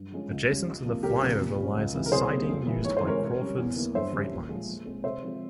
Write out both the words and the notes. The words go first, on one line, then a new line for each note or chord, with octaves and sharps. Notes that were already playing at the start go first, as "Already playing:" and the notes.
Adjacent to the flyover lies a siding used by Crawfords Freightlines.
Already playing: G2
F3 G#3 C#4
C#2
C#3 G3 C#4
C#2
C3 F3 A#3
C#2 G4 A#4
C#3 F3 C4
A#2
G3 C#4
C#2
C3 E3
A#4
C2 G#4 C5
C3 G3 A#3
F2
E3 G3 A#3
G#2 C#5
C5
E3 G#3 C4 A#4 C#5
C3
G3 C#4
E2
E3 A#3
G2 C5 E5
E3 G3 C#4
A#2
F3 G#3
A#2
G#3 C4
C3 C5 E5
F3 G#3 C4